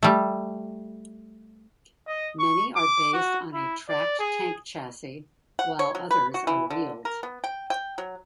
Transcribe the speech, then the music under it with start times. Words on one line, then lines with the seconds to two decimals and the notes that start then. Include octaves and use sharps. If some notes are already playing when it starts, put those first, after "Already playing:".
Many are based on a tracked tank chassis, while others are wheeled.
0.03 G3 A3
2.07 D#5
2.39 C#6
2.76 D6
3.13 F#4
3.54 E4
3.89 D5
4.19 G#4
5.59 F#5
5.79 C#5
5.95 F#3
6.11 B4
6.34 F#4
6.47 E3
6.70 D3
7.05 A#4
7.23 B3
7.44 G5
7.70 G5
7.98 F#3